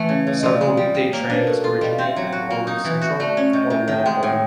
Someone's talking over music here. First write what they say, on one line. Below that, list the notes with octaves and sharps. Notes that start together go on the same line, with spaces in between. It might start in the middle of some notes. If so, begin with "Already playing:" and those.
Several weekday trains originate at Norwood Central or Walpole.
Already playing: E3 A3
C#3
C#3
D#5
F3 D5
G#3
G3
G3
A#3 C#5
C5
D4 B4
A#4
B2 A4
F4 A4
G3 D#5
F5
C4
E5
F#3 F5
F#5
F#4
F5
A#3
D#4
E3 E5
F#4
A3 D5
C#4
C3 D#5
C3 E5
D#3 E5
G5
G#3
F#5
A2 G5